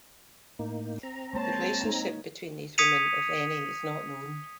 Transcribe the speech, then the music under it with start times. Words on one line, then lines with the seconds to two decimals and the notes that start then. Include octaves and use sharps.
The relationship between these women, if any, is not known.
0.59 A2 A#3 D#4
1.03 C4 A#5
1.33 G#3 A#3 C5 C#5 A5
1.84 D#4
2.78 D#6 G#6 B6 C#7 D#7 F7